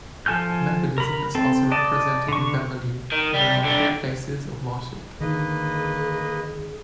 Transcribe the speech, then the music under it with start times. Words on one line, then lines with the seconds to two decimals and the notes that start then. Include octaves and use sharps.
Methodism is also represented in Beverley with around three places of worship.
0.26 F3 A4 G#5 F6 G6
0.98 A#4 B5
1.35 C4 A4
1.72 D5 D#5 A5
2.28 D3 C#6
3.12 D#3
3.35 G3
3.65 D3 G3
5.21 D3 D#3 A#3 G#4 B4 D#5